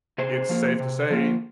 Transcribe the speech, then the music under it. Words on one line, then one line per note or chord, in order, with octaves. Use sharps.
it's safe to say,
C3 G#4 C5
F3 A#3 F4
C3
F3 A#3 F4